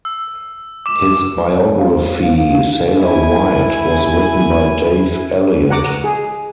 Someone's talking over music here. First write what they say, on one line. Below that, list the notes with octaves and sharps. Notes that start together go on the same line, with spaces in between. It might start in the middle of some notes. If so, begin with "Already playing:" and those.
His biography "Sailor White" was written by Dave Elliott.
E6
D6 E7
C#5
F5
C5
F5
F5
E4 G#5
F#5 A#5 D6
G#4